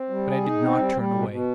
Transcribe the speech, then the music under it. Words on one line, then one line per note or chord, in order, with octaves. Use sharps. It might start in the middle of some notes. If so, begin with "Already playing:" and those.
But I did not turn away.
Already playing: C4
G3
G#4
D#4
C4
G3
G3
B2
B2